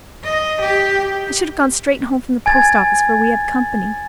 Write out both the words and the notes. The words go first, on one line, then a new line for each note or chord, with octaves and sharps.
I should have gone straight home from the post office for we have company.
D#5
G4
G#5 G#6 A6